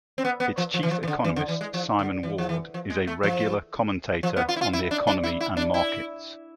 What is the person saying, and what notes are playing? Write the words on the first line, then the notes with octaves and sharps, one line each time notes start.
Its Chief Economist, Simon Ward, is a regular commentator on the economy and markets.
C4
B3
B3
F3
F3
E3
F3
E3
D3
E3
D3
E3
G#3
F3
D3
E3
F3
E3
F3
G#3
A3
F3
F3
B3
F4
E4
F4
E4
D4
D4
E4
E4
D4
E4